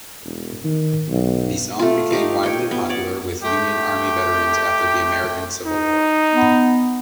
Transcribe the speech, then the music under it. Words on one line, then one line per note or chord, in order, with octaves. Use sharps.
The song became widely popular with Union Army veterans after the American Civil War.
E1
D#3
B1
A3 F4
D#4 G4 F5
C#5 G5
B3
C#5 D5
A3 G4 G5
D#4
B3